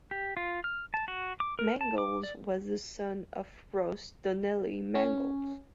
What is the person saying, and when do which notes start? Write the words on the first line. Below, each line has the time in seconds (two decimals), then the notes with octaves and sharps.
Mangles was the son of Ross Donnelly Mangles.
0.11 G4
0.37 F4
0.64 F6
0.94 A5
1.08 F#4
1.40 D6
1.59 A#4
1.81 A5
1.98 D6
2.23 D5
4.95 C#4